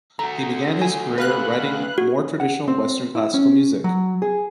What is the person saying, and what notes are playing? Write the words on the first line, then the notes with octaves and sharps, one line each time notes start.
He began his career writing more traditional Western classical music.
A3 F#4 A#5
G#5
B4 F5 F#6
F#4
F#5
C4
E4
C#4
F#3
G#4